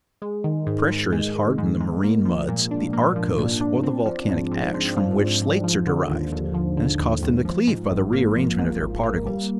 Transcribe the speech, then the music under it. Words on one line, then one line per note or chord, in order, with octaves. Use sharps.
Pressure has hardened the marine muds, the arkose, or the volcanic ash from which slates are derived, and has caused them to cleave by the rearrangement of their particles.
G#3
D#3
G#2
G#2
G#3
D#3
G#2
G#2
A#3
F3
A#2
D4
A#3
F3
A#2
D4
C4
F3
G#2
G#2
C4
F3
G#2
G#2
F3
D3
D#2
D#2
F3
D3
D#2
D#2
F3
G#2
G#1
A#3
F3
G#2
G#1
A#3
G3